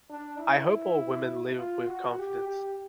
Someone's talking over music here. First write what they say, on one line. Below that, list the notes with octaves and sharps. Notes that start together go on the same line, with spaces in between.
I hope all women live with confidence.
D4
E4
F4
F#4
G4
G4